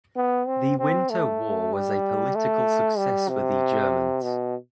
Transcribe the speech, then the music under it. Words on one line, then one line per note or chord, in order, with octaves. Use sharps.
The Winter War was a political success for the Germans.
B3
C4
C4
A3
G3
A3
G3
C3
B2